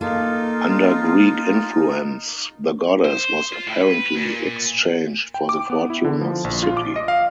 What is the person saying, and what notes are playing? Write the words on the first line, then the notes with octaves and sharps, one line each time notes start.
Under Greek influence, the goddess was apparently exchanged for the Fortune of the City.
A#3 D#4 F4 A4
C5
F4
A2
B4
A#2
G5
D6
B3
E4
D3
F3
A#1
F4
D6
D#5
F5